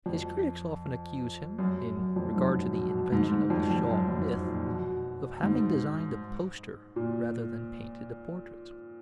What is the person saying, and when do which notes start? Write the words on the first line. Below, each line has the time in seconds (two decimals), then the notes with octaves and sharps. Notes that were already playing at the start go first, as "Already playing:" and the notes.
His critics often accuse him, in regard to the invention of the Shaw myth, of having designed a poster rather than painted a portrait.
0.06 F2
1.59 F#2
1.97 F#2
2.16 F2
2.32 G#2
2.36 F#2
2.55 B2
2.74 B2
3.12 G#2
3.31 G#2
3.50 F2
3.71 F2
3.90 F#2
4.09 F2
4.47 A#2
4.66 B2
5.43 G#2
6.96 A#2